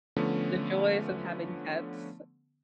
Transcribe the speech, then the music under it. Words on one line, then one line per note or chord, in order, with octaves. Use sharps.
the joys of having pets.
D3 F3 A3 B3 C#4